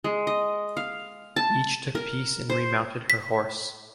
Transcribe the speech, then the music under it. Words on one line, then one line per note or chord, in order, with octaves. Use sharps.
Each took a piece and remounted her horse.
G#3
D#5
F5
A5
A#4
C5
B6